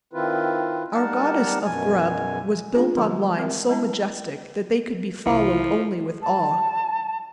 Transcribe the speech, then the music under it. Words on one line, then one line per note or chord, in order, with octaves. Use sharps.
Our Goddess of Grub was built on lines so majestic that they could be followed only with awe.
D#3 C4 E4 F4 B4
G3 D#4 A#4 D5 F#5 A5
F#2 B2 G#5
A3 A#3 C4 D4 F4 G#4
D3 F3 G3 G#3 C4
G#3
C4 A#4 E5
G#3 A3 C#4 E4 A5 A#5
C2 E3 F3 E4
A5